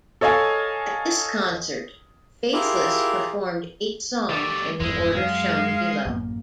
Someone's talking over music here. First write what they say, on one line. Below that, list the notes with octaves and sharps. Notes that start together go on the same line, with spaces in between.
At this concert, Faithless performed eight songs in the order shown below.
A4 C#5 D#5 F5 G#5
E4 F4 G4 G#4 A#4
G3 A3 D5
F1 E2 G2 G#3 E4
F#2 F#3 F5
A1 F#2 A#3